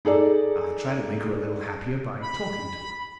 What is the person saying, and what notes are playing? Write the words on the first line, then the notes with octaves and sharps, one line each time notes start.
I tried to make her a little happier by talking to her.
D#4 G#4 A4 D5
B5